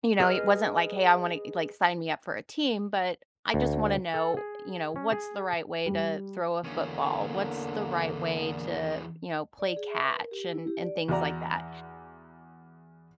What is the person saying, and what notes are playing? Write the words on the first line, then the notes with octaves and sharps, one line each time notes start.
you know, it wasn't like, "Hey, I wanna e" like, "Sign me up for a team," but "I just wanna know," you know, "what's the right way to throw a football? What's the right way to, you know, play catch" and and things like that?
G#4 B4 D#5 F6
D2
A4
G#4
C#4
G#4
G3
E2 D3 A#3 C#4
D5
G#4
E5
B4
A#4
G4
E4
G4
D5
E2 F#4 D5 A#5